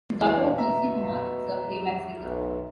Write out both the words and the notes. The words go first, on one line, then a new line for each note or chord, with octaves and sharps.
His daughter Tulsi Kumar is a playback singer.
E2 B2 F5
E5 A#5
B1